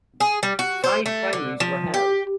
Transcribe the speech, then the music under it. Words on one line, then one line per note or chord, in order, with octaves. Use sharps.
Five primaries were held.
G#4
G3
F#4
C5
A3
D3
F3
G4